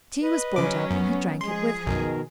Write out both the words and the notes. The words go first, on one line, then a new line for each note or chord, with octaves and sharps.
Tea was brought up, and he drank it with her.
B4 D#5
C#3 F#3 C#4 D6
F#2 B3
F3 G#3 G#4 C6
B1 F#2 B2 D#3 A#4